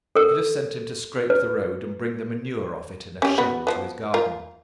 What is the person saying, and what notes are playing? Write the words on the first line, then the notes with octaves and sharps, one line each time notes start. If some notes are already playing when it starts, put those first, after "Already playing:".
He could have sent him to scrape the road, and bring the manure off it in a shovel to his garden.
A4 A#4
B4
C#4 G4
B3 F#4 B4
F3 B3
F4 A#4